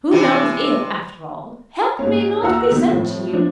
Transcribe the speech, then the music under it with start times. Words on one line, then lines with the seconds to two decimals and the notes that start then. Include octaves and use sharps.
Who knows if, after all, help may not be sent to you?'
0.11 C3 E3 D4
1.99 G#2 A#3 C#4
2.42 D#2 F4 F#4 F#5 A#5 E6
2.70 B2 D#3
2.88 F2 A2 F3
3.33 F3 D4